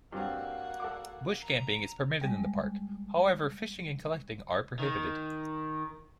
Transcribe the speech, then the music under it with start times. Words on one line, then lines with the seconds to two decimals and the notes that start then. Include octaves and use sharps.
Bush camping is permitted in the park, however fishing and collecting are prohibited.
0.12 G2 F#3 A#3 C4 F#4
0.80 A4 F#5 D6
1.43 A#5
2.21 G3 G#3
4.79 D#3